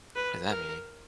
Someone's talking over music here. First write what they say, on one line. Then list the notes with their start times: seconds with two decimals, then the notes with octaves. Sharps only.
What does that mean?
0.15 B4
0.49 A#4